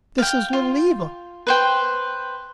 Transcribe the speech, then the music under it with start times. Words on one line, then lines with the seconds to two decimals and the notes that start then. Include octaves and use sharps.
"This is Little Eva."
0.18 F5 G5
0.53 F4
1.47 B4 C5 G5